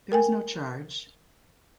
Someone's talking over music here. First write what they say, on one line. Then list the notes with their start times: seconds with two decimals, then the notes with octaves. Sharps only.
There is no charge.
0.12 A#4 G5 G#5